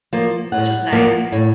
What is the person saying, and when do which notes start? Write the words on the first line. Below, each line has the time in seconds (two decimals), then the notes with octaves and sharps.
which was nice.
0.13 F3 A#3
0.52 A2 F#5
0.92 F3 A#3
1.32 A2